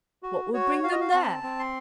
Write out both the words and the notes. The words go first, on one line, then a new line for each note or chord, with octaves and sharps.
"What would bring them there?"
F#4
F#4 C#5
F#4 F5
D#5
F5
C4 A5
C4
C6